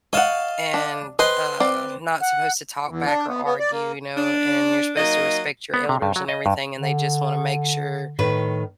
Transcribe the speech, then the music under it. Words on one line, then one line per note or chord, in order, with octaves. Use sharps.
and, uh, not supposed to talk back or argue, you know, and you're supposed to respect your elders and everything, and they just wanna make sure,
C#5 D#5 F5 F#5 A5
D4
G#4 B4 C5 D#5 G5 C6
C4 D5
F#5
E2
D4
B3
B3
D5
A#3
D4
F#3 A#3 D#4 D#5
B3
C3
G2
F#3
D#5
G2
D3
A2 D#3 B4